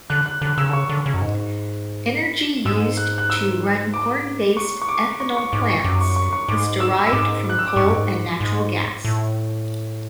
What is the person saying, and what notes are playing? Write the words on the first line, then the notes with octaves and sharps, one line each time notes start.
Energy used to run corn-based ethanol plants is derived from coal and natural gas.
D3 F#6
F#6
D3 F#6
C#3 E6
D3
C#3 C#6
D3
C#3
F#2
G#2
G#2 E6
F#6
F#6
E6
D6
C#6
C#6
D6
C#6
C#6
G#2 D6
C#6
F#2 D6
C#6
C#6
C#6
G#2 D6
E6
E6
G#2 D6
F#6
E6
D6
G#2 C#6
F#2
G#2
G#2
A2